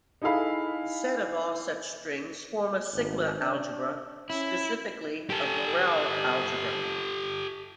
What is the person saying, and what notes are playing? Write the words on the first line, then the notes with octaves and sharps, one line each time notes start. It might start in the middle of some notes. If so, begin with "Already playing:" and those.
The set of all such strings form a sigma algebra, specifically, a Borel algebra.
D#4 E4 G#4 A4 F5 B5
G#1
D4
C#4 E4
G4 A4